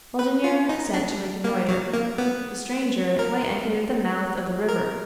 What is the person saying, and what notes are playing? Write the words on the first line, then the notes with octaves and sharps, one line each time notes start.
Laudonniere sent to reconnoitre. The stranger lay anchored at the mouth of the river.
B4
F4
D#4
D4
A#3
F#3
A#3
B3
A#4
A#4